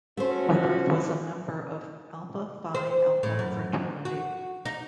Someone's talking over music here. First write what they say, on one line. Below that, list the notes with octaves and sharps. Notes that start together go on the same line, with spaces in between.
Woodruff was a member of Alpha Phi Alpha fraternity.
A3 C#4 F#4 C5
C5
A2
F#2
F#4
D#4